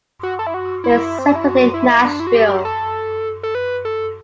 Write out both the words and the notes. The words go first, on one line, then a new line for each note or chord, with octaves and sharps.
They settled in Nashville.
F#4
A4
E4
F#4
E4
C4
D4
E4
F#4
E4
D4
E4
F#4
G4
A4
A4
B4
A4